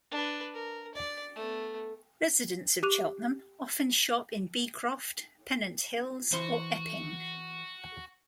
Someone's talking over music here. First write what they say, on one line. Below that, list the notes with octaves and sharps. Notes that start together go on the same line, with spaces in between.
Residents of Cheltenham often shop in Beecroft, Pennant Hills or Epping.
D4 B4
A#4
D5
A3 B3
G4 D6 F#6 D#7 F7
E3 F#4 C5 C6